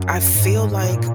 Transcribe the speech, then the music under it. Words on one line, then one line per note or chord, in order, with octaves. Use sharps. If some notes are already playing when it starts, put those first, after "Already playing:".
I feel like
Already playing: F#2
G#2
G#2
A#2